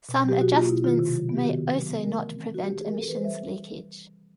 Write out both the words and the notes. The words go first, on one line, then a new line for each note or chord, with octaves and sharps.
Some adjustments may also not prevent emissions leakage.
B2
F#3 G4
B2 F#4
A#3 F4
B2 E4
D#3 F4
C3
F#3
B3
G4
D#3 F#4
C3
F#3
B3
A3 A#4
E3
C4
E3 F#4
A3 G4
E3 G#4
A#4
C4 A4
E3 B4
C5
G3 E5